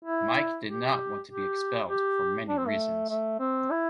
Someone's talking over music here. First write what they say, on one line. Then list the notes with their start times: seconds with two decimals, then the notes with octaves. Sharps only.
Mike did not want to be expelled, for many reasons.
0.05 E4
0.66 G4
1.27 G4
1.87 G4
2.48 D4
2.58 C4
2.68 A3
3.10 A3
3.40 C4
3.71 E4